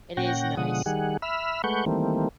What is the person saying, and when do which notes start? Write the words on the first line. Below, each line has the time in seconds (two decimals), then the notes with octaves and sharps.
it is nice
0.17 A#2 C#4 F#5 G5 A#6
0.57 B2 D3 F3 G#3 F#5 D#6
0.86 D#3 G3 G#4 F#5
1.22 E5 B5 E6 F6
1.64 G#3 A3 B4 F#5 C#6 G6
1.86 D#3 E3 G3 A3 A#3 C4